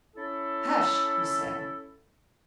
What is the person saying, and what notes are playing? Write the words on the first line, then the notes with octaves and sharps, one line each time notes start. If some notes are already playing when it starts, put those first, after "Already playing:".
"Hush!" he said.
C#4 E4 A4